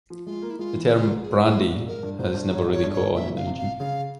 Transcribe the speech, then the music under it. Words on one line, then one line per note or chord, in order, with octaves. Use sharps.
The term "brandy" has never really caught on in the region.
F3
G#3 F4
A#3
E4
G#3 F4
E3
C#3 F4
G#2
G#4
G2 G#4
G#2
A#2
G#2 A#4
G2
G#2 C5
G2
G#2 C#5
G#2
C#5
G2
C#5
G#2
A#2 E5
F5
C3
F5
C#3 F5